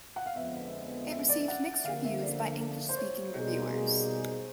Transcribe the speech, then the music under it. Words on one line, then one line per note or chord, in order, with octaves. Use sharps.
It received mixed reviews by English-speaking reviewers.
F#5
F5
F2 D3 F3 G#3 B3 E5
E5
D5
F#5
D3 F3 A#3 F5
E5
D5
C5
C#5
B2 G3 A#3 D#4 G#4